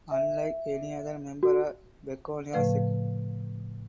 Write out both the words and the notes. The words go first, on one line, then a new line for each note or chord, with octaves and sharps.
Unlike any other member of Begonia sect.
E5
F#4
A2 C#3 F3 A3 B4 F5